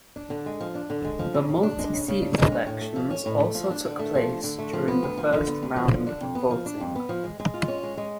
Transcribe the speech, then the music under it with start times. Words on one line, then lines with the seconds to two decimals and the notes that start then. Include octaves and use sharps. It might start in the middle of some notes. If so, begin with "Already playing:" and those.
The multi-seat elections also took place during the first round of voting.
0.16 D4
0.30 D3
0.46 G#3
0.61 F3
0.75 D4
0.90 D3
1.05 G#3
1.19 F3
1.34 C#3
1.49 C#3
1.63 D4
1.79 G#3
1.94 C#3
2.08 C#3
2.22 D4
2.38 G#3
2.51 C#4
2.67 A2
2.81 A3
2.96 F3
3.10 C#4
3.26 A2
3.40 A3
3.55 F3
3.70 D4
3.85 D3
3.99 A3
4.15 F3
4.29 D4
4.44 D3
4.58 A3
4.73 F3
4.88 B3
5.03 D2
5.17 F3
5.33 D3
5.47 B3
5.63 D2
5.76 F3
5.92 D3
6.07 D4
6.21 F2
6.35 B3
6.51 F3
6.66 D4
6.80 F2
6.95 B3
7.09 F3
7.24 G#3
7.40 G#3
7.54 F4
7.68 C#4
7.83 G#3
7.97 G#3